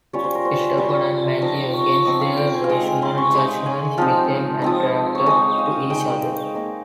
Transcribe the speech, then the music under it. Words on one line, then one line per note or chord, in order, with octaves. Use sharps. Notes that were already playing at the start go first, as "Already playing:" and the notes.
Stephen and Maggie, against their rational judgments, become attracted to each other.
G3 C#4 F4 C#5
C5
A#4
C5
G3 C#4 F4
F3 C4 D#4 A#4
C#5
F3 C4 D#4 D#5
F5
G5
G#5
F5
G#3 D#4 G5
G#5
C6
C#6
G#3 D#4 C6
G#5
F3 C4 D#4 F5
F3 C4 D#4
C#5
G#3 D#4 D#5
F5
G#3 D#4 G5
A#3 D#4